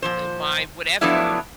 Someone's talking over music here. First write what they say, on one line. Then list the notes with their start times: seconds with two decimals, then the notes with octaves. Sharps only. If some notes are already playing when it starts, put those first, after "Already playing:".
uh, my" whatever.
0.02 A#2 F3 C5
1.01 F3 F#3 A3 B3 D4 E4